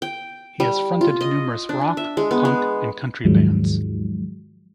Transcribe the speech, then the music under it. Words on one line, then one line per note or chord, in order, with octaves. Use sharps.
He has fronted numerous rock, punk and country bands.
G5
G3
F4
D#5
D4
E5
G#3
B3
G#3
D#2 G#2 D#3 F3 F#3 G#3